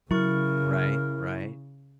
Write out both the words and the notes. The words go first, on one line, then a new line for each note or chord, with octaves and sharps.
Right, right.
C#3 F#3 E4 A#4 C#6